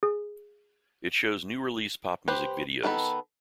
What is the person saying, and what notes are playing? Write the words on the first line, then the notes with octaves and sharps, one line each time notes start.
It shows new release pop music videos.
G#4
G4 B4 C5
D#3 B3 A4 B5